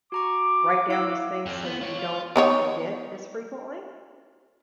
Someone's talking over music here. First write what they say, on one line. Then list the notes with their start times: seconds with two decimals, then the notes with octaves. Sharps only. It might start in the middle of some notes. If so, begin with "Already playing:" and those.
write down these things so that you don't forget as frequently?
0.12 F#4 A#5 C#6 D6
0.88 E4 F5 E6
1.46 F2
1.65 B3
1.81 F4 C#5
1.99 F4
2.36 B3 D#4 C#5